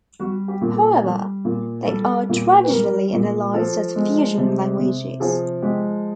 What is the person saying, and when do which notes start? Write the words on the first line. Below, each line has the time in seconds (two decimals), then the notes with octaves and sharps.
However, they are traditionally analyzed as fusional languages.
0.19 G3 F#4
0.48 G4
0.61 A#2
0.75 A4
1.03 G3
1.45 A#2
1.87 G3 A4
2.29 A#2
2.63 B4
2.70 G3 A#4
3.13 A#2
3.54 F3 A4
3.96 G#3
4.38 C3
4.79 C3
5.20 F3 G#4
5.62 G#3 G4